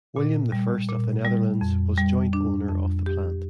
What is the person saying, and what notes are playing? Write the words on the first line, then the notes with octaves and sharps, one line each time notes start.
William the First of the Netherlands was joint owner of the plant.
A#2
G3
A#2
G3
F2
G3
D4
F2
G4